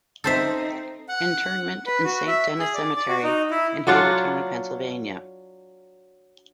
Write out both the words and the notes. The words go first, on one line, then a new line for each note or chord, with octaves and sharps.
Interment in Saint Denis Cemetery in Havertown, Pennsylvania.
C4 D#4 A4 C5 E5
F#5
B4
F#4
E5
G#4
D5
D5
F#4
D#4
E4
F#3 D4 F4 F#5